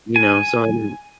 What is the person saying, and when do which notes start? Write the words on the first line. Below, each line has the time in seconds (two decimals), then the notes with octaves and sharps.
you know, so I'm
0.16 G#5